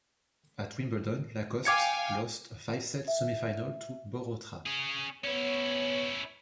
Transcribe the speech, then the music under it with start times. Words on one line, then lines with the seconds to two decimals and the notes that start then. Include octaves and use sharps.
At Wimbledon Lacoste lost a five-set semifinal to Borotra.
1.65 F5 G5 G#5 D6 G#6 C#7
3.08 E5
4.66 C#4 G#4
5.24 B3 C#4 E4 C#5